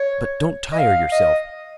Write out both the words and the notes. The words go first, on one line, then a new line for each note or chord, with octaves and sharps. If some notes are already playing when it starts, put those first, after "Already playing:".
But don't tire yourself.
Already playing: C#5
D#5
F5
D#5